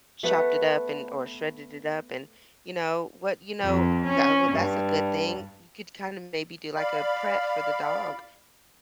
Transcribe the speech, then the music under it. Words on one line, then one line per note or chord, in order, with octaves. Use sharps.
chopped it up and or shredded it up and you know, what you know that well, that's a good thing. You could kinda maybe do, like, a prep for the dog
A3 B3 B4
F2
C#4
G2
D5 F5 B5